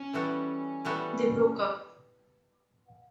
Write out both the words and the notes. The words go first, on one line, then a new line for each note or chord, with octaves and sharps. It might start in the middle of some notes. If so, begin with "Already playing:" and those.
They broke up.
Already playing: C#4
E3 G3 B3 F#4 A4
E3 G3 B3 F#4 A4